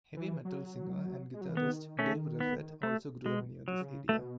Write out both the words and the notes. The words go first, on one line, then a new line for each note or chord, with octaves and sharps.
Heavy metal singer and guitarist Dave Reffett also grew up near this area.
E3
F#3
G#3
F#3
E3
D#3 B3
A3 C#4
B3
A3
B2 G#3
F#3
C#3
B2 A3